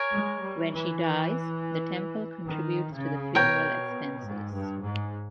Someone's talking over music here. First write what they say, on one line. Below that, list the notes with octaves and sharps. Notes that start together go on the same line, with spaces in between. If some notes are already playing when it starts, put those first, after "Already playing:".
When she dies, the temple contributes to the funeral expenses.
Already playing: A#4 C#5 G#5
G#3
G3
E3
D#3
C#3
B2 A#4 C#5 G5
G#2
G2
G#2